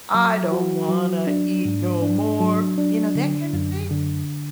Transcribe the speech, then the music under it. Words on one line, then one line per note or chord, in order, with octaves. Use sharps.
I don't wanna eat no more. You know, that kind of thing?
F#3
F#4
F#3
D4
G#2
D4
F#3
D4
D3
F#2
D3